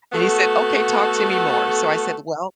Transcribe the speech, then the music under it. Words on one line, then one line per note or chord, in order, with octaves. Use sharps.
and he said, "Okay, talk to me more," so I said, "Well,"
A3 B3 F#4 A4